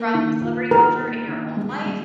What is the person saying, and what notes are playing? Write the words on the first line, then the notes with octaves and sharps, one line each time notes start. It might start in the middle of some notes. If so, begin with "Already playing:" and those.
from celebrity culture in your own life,
Already playing: A#3
D#3
F4
D#3 A#4
A#3
D#3
G#3
G#3